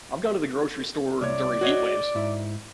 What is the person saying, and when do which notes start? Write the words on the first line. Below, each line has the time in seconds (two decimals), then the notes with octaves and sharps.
I've gone to the grocery store during heat waves.
1.21 C2 C#5 D5
1.61 F#4 C#5 D#5
2.15 G#2 E4